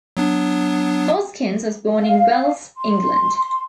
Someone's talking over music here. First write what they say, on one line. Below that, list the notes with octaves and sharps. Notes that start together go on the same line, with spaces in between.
Hoskins was born in Wells England.
F#3 B3 D4
F5
C6